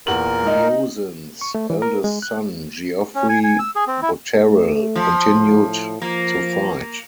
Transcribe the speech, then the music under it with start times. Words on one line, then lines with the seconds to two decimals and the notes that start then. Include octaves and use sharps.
Eozen's eldest son Geoffrey Boterel continued to fight.
0.07 E2 A#2 A#4 F#7
0.47 D#4
1.41 C#6
1.55 A3
1.70 E3
1.82 A#4
2.04 G#3
2.22 F#6
3.15 C#4
3.29 G#5
3.44 G#5
3.59 E6
3.75 G#4
3.87 C4
4.02 E4
4.47 A3
4.96 F3
5.39 A2
6.02 F3 A#3